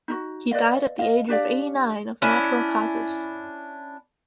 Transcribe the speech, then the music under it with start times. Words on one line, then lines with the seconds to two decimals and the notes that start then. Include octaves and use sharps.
He died at the age of eighty-nine of natural causes.
0.08 D#4 E4 F#4
0.51 B4 D5 D#5 F5
0.99 D#5 F5
1.28 D4 G4 D5 F5
2.22 C#4 D4 E4